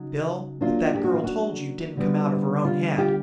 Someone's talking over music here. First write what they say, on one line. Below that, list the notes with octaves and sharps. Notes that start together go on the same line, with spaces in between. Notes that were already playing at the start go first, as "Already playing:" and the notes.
Bill, what that girl told you didn't come out of her own head.
Already playing: C#3 F#3 D#4
F#3 A#3 D4 F4
G4
F#4
F4
F#4
D3 G3 B3
F4
F4 G4